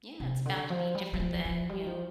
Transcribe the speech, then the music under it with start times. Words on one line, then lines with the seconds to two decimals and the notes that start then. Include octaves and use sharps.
Yeah, it's bound to be different than, you know,
0.20 C3
0.46 D3
0.70 F3
0.95 G3
1.13 G3
1.20 F3
1.45 F3
1.69 G3
1.86 F3